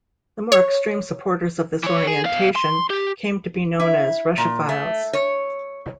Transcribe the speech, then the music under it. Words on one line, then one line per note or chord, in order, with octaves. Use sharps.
The more extreme supporters of this orientation came to be known as "Russophiles".
C#5
E3 C#5
G#4
B2 F5
C6
G4
E4
A#2
A3
C#5